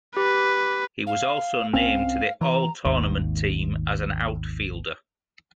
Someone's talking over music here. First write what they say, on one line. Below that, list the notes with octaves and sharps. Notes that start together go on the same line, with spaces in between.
He was also named to the All-Tournament team as an outfielder.
G4 B4
F5
C2 C4 C#4 F5
E3 A#5
G#1 D#2